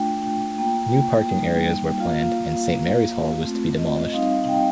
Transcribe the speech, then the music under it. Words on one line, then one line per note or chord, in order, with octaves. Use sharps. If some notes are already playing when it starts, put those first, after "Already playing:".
New parking areas were planned and Saint Mary's Hall was to be demolished.
Already playing: A3 D4 F4 G5
A#3 F4 G5
G3 A#3 D#4
A#3 F4 F5
A#3 F4
A3 C4 F4
D#5
D#5
G3 C4 D#4 F5
F5
G5